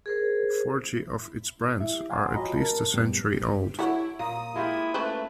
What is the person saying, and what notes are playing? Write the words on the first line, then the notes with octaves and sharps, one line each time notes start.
Forty of its brands are at least a century old.
G#4 A#4 C5
E4 E5
F5 F#5 G#5 A#5 C6
F4 F#4 C#5 D#5 A#5 B5
A#4 A5
F#2 A2 G3 B3
E4 F#4 A4 C#5 F#5
A#2 A#3 D#6
G#3 E4 F4 G4
A3 C#4 E4 B4 C5